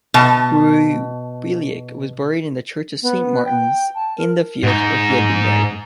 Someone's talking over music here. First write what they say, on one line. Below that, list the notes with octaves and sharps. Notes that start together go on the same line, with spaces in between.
Roubiliac was buried in the church of Saint Martin's-in-the-Fields, where he had been married.
B2 A5
B3
G5
A5
A#4
G#2 D#4